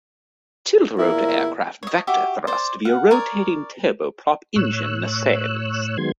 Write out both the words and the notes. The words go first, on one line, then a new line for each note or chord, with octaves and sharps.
Tiltrotor aircraft vector thrust via rotating turboprop engine nacelles.
E2 A#2 E4 A#4
C#5 D#5
F#4 G4 E5 D6
C5 D5
F5 F#5
A#4 C#5 D5
A2 C#5 E6 F#6
D#3 F#3 G#3 B3 C6 G#6